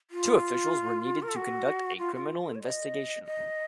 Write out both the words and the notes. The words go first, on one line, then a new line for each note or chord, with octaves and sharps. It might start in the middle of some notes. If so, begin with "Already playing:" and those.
Two officials were needed to conduct a criminal investigation.
F4
A#4
A4
F#4
F4
F4
A4
C#5
D#5
D#5